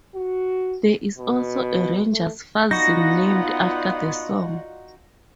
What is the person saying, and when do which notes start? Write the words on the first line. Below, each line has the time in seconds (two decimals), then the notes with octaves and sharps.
There is also a Rangers fanzine named after the song.
0.15 F#4
1.18 B2
2.12 A3
2.71 B3 D#4 F4 F#4 D5 F#5 A#6